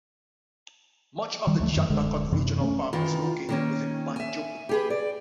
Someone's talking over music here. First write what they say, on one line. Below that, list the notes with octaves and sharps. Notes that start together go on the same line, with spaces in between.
Much of the Jandakot Regional Park is located within Banjup.
D#3 G3
D2 F3 G#3 A3
F#2 D#3
D1 D3 G#3
F#2 C3 E3
A3 C#4
D#3 E3 F4
D#3 A#3 C#4
E5 G#5
G4 G#4 B4
D5